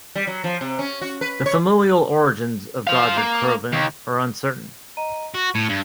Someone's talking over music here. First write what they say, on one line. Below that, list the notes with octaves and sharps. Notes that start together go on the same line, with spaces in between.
The familial origins of Godred Crovan are uncertain.
G3
F#3
F3
C3
C#4
F#4
B4
C#5
C5 F5
A#3
D#2
D#5 A#5 D#7
F#4 C#6
A2 G#6 C#7 D#7
G2